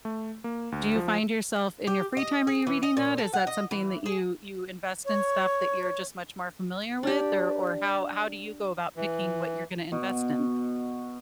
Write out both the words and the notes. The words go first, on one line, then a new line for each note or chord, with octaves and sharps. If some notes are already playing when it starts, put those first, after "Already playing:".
do you find yourself, in your free time, are you reading that? Is that something that you you invest in stuff that you're just much more familiar with? Or or how how do you go about picking what you're gonna invest in?
A3
A#3
D2
F3
G4
D#5
G#4
E3
D#5
A#2
A4
F#5
D#5
E3
G#4
C#5
D4 G4
E3
B2